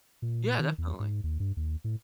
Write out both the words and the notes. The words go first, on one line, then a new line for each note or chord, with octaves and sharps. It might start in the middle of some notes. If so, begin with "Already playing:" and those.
Yeah, definitely.
A#2
D#3
E2
G#2
D#2
G2
D#2
A2